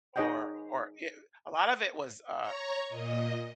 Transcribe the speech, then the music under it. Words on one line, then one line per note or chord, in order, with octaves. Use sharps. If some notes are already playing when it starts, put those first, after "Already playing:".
Or or eh a lot of it was, uh,
D#4 G#4 C#5 D#5 F#5 G5
C#5 A#5 C#6
A#2 D#5